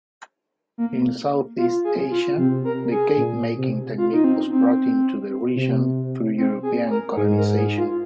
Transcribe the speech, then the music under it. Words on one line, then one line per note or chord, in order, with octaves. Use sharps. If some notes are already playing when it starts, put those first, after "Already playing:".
In Southeast Asia, the cake-making technique was brought into the region through European colonisation.
A#3
F4
G#4
F4
C3 C4
A#4
G#4
A#2
C3
F4
D#4
C4
C4
C3
C4
G#4
A#4
G#2 G#4
A#4
G#4
F4